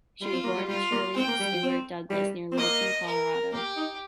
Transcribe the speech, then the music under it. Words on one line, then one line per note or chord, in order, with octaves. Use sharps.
She was born Shirley Stewart Douglas near Littleton, Colorado.
G3 F4
C4
A#3
G3
G3 F4
A#3
C4 G5
A#3
G3
F3
C4
G3
C4
A#3 D#5
A#4
A#3 G4
D#4